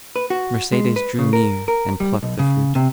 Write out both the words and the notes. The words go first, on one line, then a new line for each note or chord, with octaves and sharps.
Mercedes drew near, and plucked the fruit.
B4
F#4
G#3
B4
C#3
A#4
A#4
G3
B1
C#3
C3